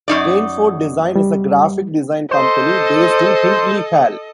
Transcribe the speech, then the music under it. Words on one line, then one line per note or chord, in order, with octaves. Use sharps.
Gainford Design is a graphic design company based in Hindley Hall.
F#2 D#4 D5
G3
A4 C5 D#5